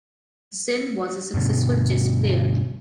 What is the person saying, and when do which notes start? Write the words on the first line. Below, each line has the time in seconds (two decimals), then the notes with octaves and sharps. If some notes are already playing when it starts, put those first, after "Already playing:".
Zinn was a successful chess player.
1.34 G2 B2 D3